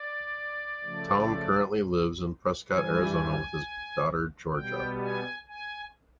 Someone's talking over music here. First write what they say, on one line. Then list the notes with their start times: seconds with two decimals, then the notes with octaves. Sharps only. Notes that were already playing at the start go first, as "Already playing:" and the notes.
Tom currently lives in Prescott Arizona with his daughter, Georgia.
Already playing: D5
0.83 C#3 F3 A3
2.69 G2 E3 G3 G#5
4.55 B2 G3 B3 G5
5.02 G#5
5.49 G#5